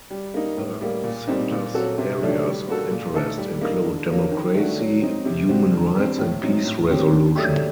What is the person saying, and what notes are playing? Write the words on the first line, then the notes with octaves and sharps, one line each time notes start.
The center's areas of interest include democracy, human rights and peace resolution.
G3
A#3 D#4
A2
G3 A#3
A#2
G3 C4 D#4
A#2
F#3 C4 F#4 A4
C3
D#3 F#3 A3 D4
G3
A#3 F#4 A4
A#2
A3 D#4 A4
G3
A#3 D#4
D3
F#3 A#3
D#3
A3 D4 F#4
F#3
C4 D#4
C3
G3 C4 F#4
D3
G3 C4
A2
F#3 C4 D#4
A2
F#3 C4 G4
D3
F#3 A3 D4 G4